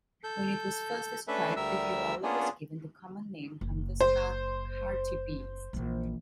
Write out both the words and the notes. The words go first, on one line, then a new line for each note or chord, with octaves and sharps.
When it was first described the hirola was given the common name Hunter's hartebeest.
A4 G6
A3 C#4 D4 A4 B4 E5
D2 G3 A#4 E5 E6
A#3 B3 C#4 D4 F4 G#4
F#1
C5
A#1 E3